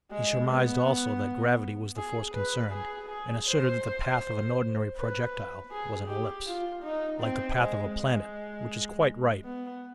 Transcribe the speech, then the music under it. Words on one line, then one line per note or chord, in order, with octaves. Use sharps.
He surmised also that gravity was the force concerned, and asserted that the path of an ordinary projectile was an ellipse, like the path of a planet--which is quite right.
G#3
B3
G#4
B4
G#4
G#4
C5
B4
G#4
G4
F4
D#4
C4
G#3
G#3
B3